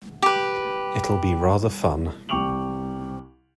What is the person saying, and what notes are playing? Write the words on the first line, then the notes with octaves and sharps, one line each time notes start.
It'll be rather fun.
G4 B4
C2 G5 C#6 D6 F7 F#7